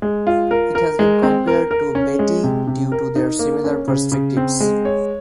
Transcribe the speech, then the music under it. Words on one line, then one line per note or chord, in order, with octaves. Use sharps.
It has been compared to "Betty" due to their similar perspectives.
G#3
F4
A#4
A#4
G#3
C4
A#4
A#4
C#4
G#3
C3
C3
A#4
D#4
A#3
C#4
C#3
C#3
C4
G#3
C#5